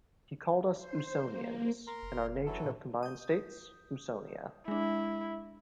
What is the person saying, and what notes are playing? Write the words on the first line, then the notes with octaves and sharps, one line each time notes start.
He called us Usonians, and our Nation of combined States, Usonia.
C5
A#3
A#4 A#5 C6
F#1
E3 F#3 A4
A#2
D#6 G6
G#3 D4 E4